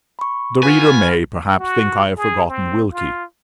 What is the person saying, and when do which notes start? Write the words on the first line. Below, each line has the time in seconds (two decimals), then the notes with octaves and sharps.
The reader may, perhaps, think I have forgotten Wilkie.
0.19 B5 C#6
0.63 B3 F4 B4 G#5
1.60 F#4
2.17 G#4
2.48 C4
2.93 F4